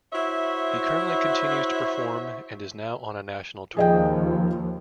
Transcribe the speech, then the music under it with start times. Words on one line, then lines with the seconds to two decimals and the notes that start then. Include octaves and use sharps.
He currently continues to perform and is now on a national tour.
0.13 E4 F#4 C5 C#5 E5
3.77 D#2 F3 G#4 D#5 G5